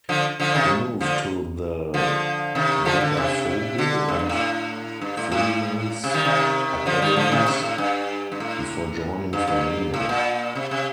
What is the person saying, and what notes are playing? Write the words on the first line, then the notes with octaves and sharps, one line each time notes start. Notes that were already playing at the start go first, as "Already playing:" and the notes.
He moved to the Botafogo and Fluminense academies before joining Flamengo.
D3 F3
D3 F3
C3 D#3
D3 F3
D3 F3
C3 D#3
D3 F3
D3
C3
D3
C3
G2
A2
G2
A2
A2
C3
D#3 G3
C3 D#3
D3 F3
D#3 G3
D3 F3
C3 D#3
C3
A2
G2
G2
A2
G2
G2
A2
A#2
C3
C3